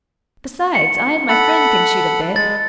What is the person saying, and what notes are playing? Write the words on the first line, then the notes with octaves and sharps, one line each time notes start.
Besides, I and my friend can shoot a bit.'
C#7
A4 F#5 B5
G#3 A6